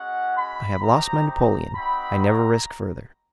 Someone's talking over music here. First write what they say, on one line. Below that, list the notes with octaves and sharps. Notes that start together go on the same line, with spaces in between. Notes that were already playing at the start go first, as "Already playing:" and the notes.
I have lost my napoleon: I never risk further.
Already playing: G#3 C#4 F#4 F#5
B5
C4 D#4 G4 A#5
A#5
C4 D#4 F#4 B5
A#5